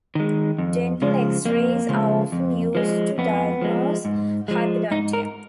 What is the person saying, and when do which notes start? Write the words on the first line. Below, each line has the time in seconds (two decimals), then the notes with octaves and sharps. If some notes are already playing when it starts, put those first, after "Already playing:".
Dental X-rays are often used to diagnose hyperdontia.
0.15 D#3 G#3
0.58 F2
1.02 C#3 F3 G#3
1.45 F2 A#3
1.89 C#3 F3 G#3
2.32 F2
2.75 F3 G#3
3.18 F2 B3
3.61 F3 G#3
4.05 G#2
4.48 F3 G#3
4.91 G#2 D#4
5.13 A#4